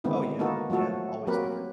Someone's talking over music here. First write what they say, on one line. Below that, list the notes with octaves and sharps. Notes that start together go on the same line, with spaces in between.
Oh, yeah, yeah. Always different.
D3 D#3 G#3 B3 C4 E4
A#3 B3 D#4 F#4 A4
F3 F#3 A3 F#4 A4
F#3 A#3 C4 G4 A#4 B4